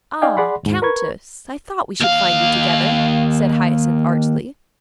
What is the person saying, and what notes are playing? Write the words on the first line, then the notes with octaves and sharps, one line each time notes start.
"Ah, Countess, I thought we should find you together," said Hyacinth archly.
D#4 D5 D#5 F5 G5 G#5
G#4 D5 F#5 B5 C6
D#2 G#2
A#4 B4 C#6 G#6
D#2 F5